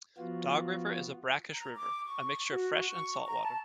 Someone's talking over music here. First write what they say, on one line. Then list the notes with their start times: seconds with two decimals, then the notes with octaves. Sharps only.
Dog River is a brackish river - a mixture of fresh and saltwater.
0.18 F3 B3 F4 F#4
1.54 A#5
1.76 D6
2.05 C#6
2.51 F#4
2.90 C#6
3.26 A#5
3.42 A5